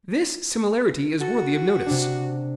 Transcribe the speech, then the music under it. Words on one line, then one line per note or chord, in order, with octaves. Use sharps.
This similarity is worthy of notice.
F#4 A4
C3 D4